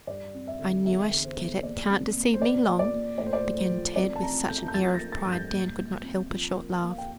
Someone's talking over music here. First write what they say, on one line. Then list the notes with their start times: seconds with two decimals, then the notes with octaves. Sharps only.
'I knew I should get it; can't deceive me long,' began Ted, with such an air of pride Dan could not help a short laugh.
0.07 G2 D5
0.34 C4
0.47 E5
0.59 D3
0.86 E2 E5
1.11 D3
1.24 C5
1.38 E2
1.63 A#2 D5
1.90 C4
2.16 A#2
2.34 C5
2.42 A#2 D5
2.67 A#2
2.79 D5
2.93 A#2
3.18 A2 D5
3.26 C5
3.33 D5
3.44 A2
3.58 C5
3.70 F3
3.96 C4 D5
4.16 A5
4.22 C4 A#5
4.49 A3 G6
4.68 G6
4.74 F3 A6
4.94 A#6
4.99 A#3
5.12 A6
5.25 G2
5.32 G6
5.52 A#2
5.78 A#2
6.03 C4
6.30 F3
6.55 A#3
6.82 A#2
6.90 F5
6.98 G5